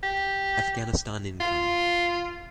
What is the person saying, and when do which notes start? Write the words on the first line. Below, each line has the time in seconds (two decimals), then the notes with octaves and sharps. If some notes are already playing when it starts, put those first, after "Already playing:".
Afghanistan income.
0.03 G4
1.41 F4